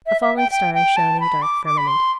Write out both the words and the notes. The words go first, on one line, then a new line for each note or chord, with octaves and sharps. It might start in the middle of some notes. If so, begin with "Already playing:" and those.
A falling star shone in the dark firmament.
E5
E5
G5
G5
G5
A5
B5
D6
D6
B5
C6